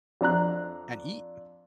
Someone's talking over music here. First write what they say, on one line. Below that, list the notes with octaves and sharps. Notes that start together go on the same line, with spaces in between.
and eat,
F2 D4 A#5 F#6